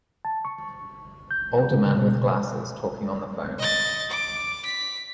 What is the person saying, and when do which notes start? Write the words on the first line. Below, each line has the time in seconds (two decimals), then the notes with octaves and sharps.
Older man with glasses talking on the phone.
0.25 A5
0.45 C#6
1.31 G6
1.71 C#3
1.97 B2
3.59 D#5 A6
4.10 D6
4.65 B6